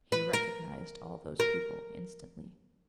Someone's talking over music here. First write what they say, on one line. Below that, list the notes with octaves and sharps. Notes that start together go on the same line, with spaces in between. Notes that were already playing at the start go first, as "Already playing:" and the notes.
He recognized all those people instantly.
B4
A#4
A#4